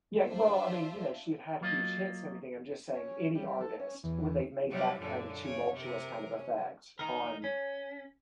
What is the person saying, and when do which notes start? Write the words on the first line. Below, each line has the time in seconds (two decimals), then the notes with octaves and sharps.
Yeah, well, I mean, you know, she had had huge hits and everything. I'm just saying any artist when they've made that kind of tumultuous kind of effect on
0.25 D4 F4 C5 E5
1.61 F#3 A#3 F4 F#4 D#5
2.93 C#4
3.35 G3
3.47 G3
3.61 A4
3.80 C#4
4.03 E2
4.70 C3 F#3 G3
4.99 F#2 A#2 D3
5.41 C#3 C#5
5.74 C3 A#4
6.36 C#4
6.99 D#4 A#4
7.44 C#4